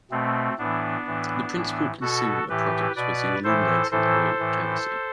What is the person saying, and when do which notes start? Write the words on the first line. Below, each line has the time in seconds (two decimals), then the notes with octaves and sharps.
The principal consumer product was the illuminating oil kerosene.
0.11 B2 A3 C4
0.59 A2 E3 B3 D4
1.07 A2 E3
1.53 A2 E3
2.01 B2 F#4 A4
2.49 A2 E3 G4 B4
2.96 B2 B4 D5
3.44 A2 E3 A4 C5
3.91 A2 E3 A4 C5
4.39 A2 E3